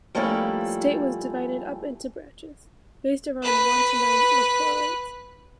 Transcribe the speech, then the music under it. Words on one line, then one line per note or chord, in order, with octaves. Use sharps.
The state was divided up into branches, based around one to nine electorates.
F3 G3 A3 A#3 C#4 E4
B4 F#6